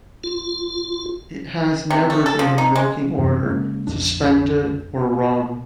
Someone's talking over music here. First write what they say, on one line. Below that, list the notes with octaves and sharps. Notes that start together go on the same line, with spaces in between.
It has never been in working order, suspended, or rung.
F4
C3
A3
A4
F3
D#4
G#3
F#2 E3 B3 D4
C#3 G#3 A#3 C#4
A#1 F2 D4